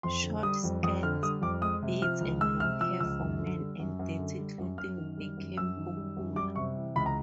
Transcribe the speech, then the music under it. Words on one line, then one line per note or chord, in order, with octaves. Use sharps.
Short skirts, beards and long hair for men, and dirty clothing became popular.
F2 C6
D3
G3 D#6
F2
F2 D#6
D3 F6
G3 D#6
F2 D6
G#3 D#6
C3
F3 F6
C#2
G#3 E6
C3 F6
F3 E6
C#2 E6
F#2
D3
G3
F#2
F#2
D3
G3
F#2
F#2 F6
D#3
G3
F#2
F#2 E6
D#3
G3
F#2
G3 D6
C3 C#6
E3
C#2 B5
A#5